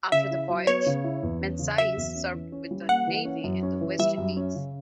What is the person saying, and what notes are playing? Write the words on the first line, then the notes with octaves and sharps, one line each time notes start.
After the voyage, Menzies served with the Navy in the West Indies.
C#3 E5
E4
F#3
B3 C#5
C#3
E4
E2
C#4
C#3
F#3 E5
E2
C#4
E3
C#4
G3
A#3 F#5
E3
C#4
F#2
C#4
E3
G3 E5
F#2
C#4
C#3